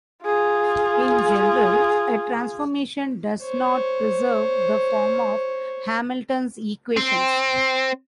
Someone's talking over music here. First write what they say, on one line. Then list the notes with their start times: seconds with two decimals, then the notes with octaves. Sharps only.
In general, a transformation does not preserve the form of Hamilton's equations.
0.24 F4 G#4
3.44 C5 C#5
6.97 C4